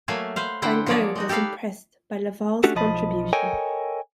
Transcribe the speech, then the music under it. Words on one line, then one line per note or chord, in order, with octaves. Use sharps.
Van Gogh was impressed by Laval's contribution.
F#3 A3 A#3 E5 F5 G#5
B4 C5 F5
D3 E4 C5 F#5 G5
F3 F#3 A#3 G#4 C#5 D5
G#3 D#4 F#4
G4 A4 B4 F5
A3 C#4 D4 F#4 G4 A4
B1 F3 D#5 A5 B5
A4 A#4 C#5 D#5 G5 G#5